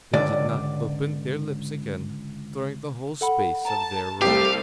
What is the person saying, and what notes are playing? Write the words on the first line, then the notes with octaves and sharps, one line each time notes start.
They did not open their lips again during the whole space of their ride.
C#2 G#2 D3 D5
A4 F#5 B5
A5 A#5
C2 A3 G4 F5